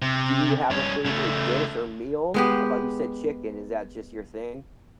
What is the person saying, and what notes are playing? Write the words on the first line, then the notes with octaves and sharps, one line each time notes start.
do you have a favorite dish or meal? About you said chicken, is that just your thing?
C3
G2 C#4
C#3 A3
G#3 B3 G4